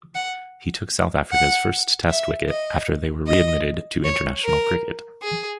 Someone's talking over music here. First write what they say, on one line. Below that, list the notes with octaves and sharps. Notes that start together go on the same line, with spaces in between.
He took South Africa's first Test wicket after they were re-admitted to international cricket.
F#5
F#5
E5
D#5
D#5
C#5
A#4
G#4